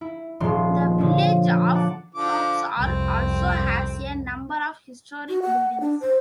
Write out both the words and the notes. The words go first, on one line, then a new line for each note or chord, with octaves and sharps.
The village of Croxall also has a number of historic buildings.
E4
D#1 G#2 D#3 F3 C6
A#2 D3 F3 F#3
F#5 A5 D6
D3 F3 D6
C2 F2 C4
F#4
F#5
D4
C5